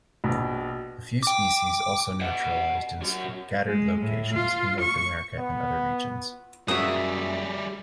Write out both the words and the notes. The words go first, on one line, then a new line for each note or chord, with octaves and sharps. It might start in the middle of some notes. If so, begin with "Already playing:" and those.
A few species also naturalized in scattered locations in North America and other regions.
A#1 B2
G5 D6
D#5 F#5
F#2 F#4
G#3
A2
F4
C#6
B3
F#2 G3 A#3 F#4 G#4 E5 D#6